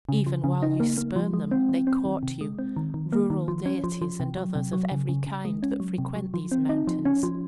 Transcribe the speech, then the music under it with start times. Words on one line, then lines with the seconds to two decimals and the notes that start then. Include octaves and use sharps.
Even while you spurn them, they court you,--rural deities and others of every kind that frequent these mountains.
0.09 C#3
0.27 F3
0.44 C#3
0.62 D#4
0.80 A#3
0.98 A#3
1.16 F3
1.34 G#3
1.51 C4
1.69 F3
1.87 C4
2.05 D#3
2.23 C3
2.41 G#3
2.59 C4
2.77 D#3
2.94 D#3
3.13 A#3
3.30 D#3
3.48 F3
3.66 C#4
3.84 F3
4.02 F3
4.20 C3
4.37 F#3
4.55 C3
4.73 F#3
4.91 C#3
5.09 C#3
5.27 C#3
5.45 G#3
5.63 C#4
5.80 F#3
5.98 C3
6.16 F#3
6.34 F3
6.52 C4
6.69 D#4
6.87 F3
7.05 C#4
7.23 F3